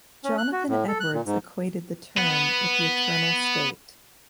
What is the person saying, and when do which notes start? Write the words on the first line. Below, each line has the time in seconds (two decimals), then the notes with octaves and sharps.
Jonathan Edwards equated the term with the eternal state.
0.24 C#4
0.38 F#6
0.52 F#4
0.68 A2
0.88 A4
1.00 F#6
1.14 A#2
1.26 G#2
2.18 B4 F#5